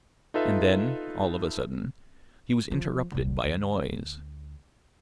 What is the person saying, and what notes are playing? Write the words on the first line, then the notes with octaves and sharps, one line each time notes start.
And then all of a sudden he was interrupted by a noise.
D#4 F4 A4 B4 E5
F3
D#1 C2
D2